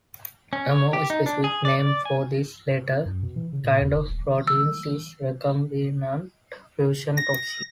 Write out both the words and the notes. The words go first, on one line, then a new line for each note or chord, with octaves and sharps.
A more specific name for this latter kind of protein is recombinant fusion toxin.
C#4
C#5
G4
D#4
D4
G#4
D5
D5
G#5
F#2
B2
E3
C#3
A#2
D#2
F#1
D#1
E6
A#6